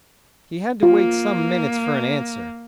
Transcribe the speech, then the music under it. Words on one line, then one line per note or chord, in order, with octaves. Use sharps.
He had to wait some minutes for an answer.
A#3 F4